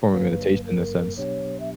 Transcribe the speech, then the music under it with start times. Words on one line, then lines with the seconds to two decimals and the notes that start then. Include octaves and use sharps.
form of meditation in a sense,
0.13 G1 G2 F#3 A#3 B4
0.66 A#4
1.17 B2 F#3 B3 D4 G4 C#5
1.60 E5